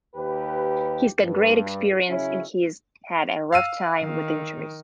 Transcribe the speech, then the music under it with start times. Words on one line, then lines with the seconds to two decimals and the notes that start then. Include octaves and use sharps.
He's got great experience and he's had a rough time with injuries.
0.16 D#2 G4 B4
1.21 G2
2.09 C#3 F#3 C#4 E4
3.52 F5 E6 D#7
4.02 D#3